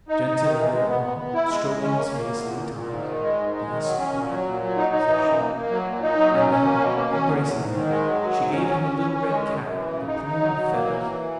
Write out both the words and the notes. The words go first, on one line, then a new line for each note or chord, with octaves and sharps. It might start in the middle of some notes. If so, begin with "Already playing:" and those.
Gentilla thereupon stroking his face three times, "Be a spirit," said she; and then, embracing him, she gave him a little red cap with a plume of feathers.
D#4
D#4
D#3
E3
G#3
B3
B3
B3
E4
G#3
G#3
C#4
A#3
A#3
E2
A#2
A#2
A#2
G#2
D#3
G#3
G#2
G#3
D#3
F#3
C#4
A#2
F#3
A#2
F#3
D#4
D#4
E3
F#2
A#3
A#3
F#3
A#2
D#4
F#3
C#4
C#4
A#3
B2
A#3
C#4
E2
E2
G#2
D#3
G#3
F#3
F#3
G#2
C#4
C#4
C#4
C#4
C#4
G#3
F#2
F#2
E3
C#3
D#4
D#4
F#3
F#3
A#3
E3
E3